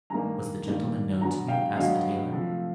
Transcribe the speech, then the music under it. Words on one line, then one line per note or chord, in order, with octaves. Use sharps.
"Was the gentleman known to you?" asked the tailor.
G2 D#3 G3 A#3 G#5 A#5
G2 D#3 G3 A#3
G2 D3 F#3 B3 G#5 A#5
F5 G5
G2 D3 F#3 B3 D#5 F5
C3 F3 A3